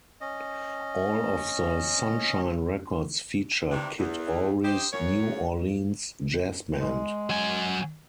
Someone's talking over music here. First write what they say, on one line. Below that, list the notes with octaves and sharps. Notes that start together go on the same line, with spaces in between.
All of the Sunshine Records feature Kid Ory's New Orleans jazz band.
C#4 D#5
G2 C3 D#3 E3 G3 D4
E2
G4 C5 D#5
F#2 C#5
G#3
F#3 G#5